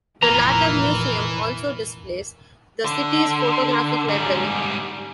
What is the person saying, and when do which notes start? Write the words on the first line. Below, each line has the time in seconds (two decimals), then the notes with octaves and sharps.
The latter museum also displays the city's photographic library.
0.22 F1 A#2 E3 A#4 A#5
2.85 D3
4.08 G#2 G3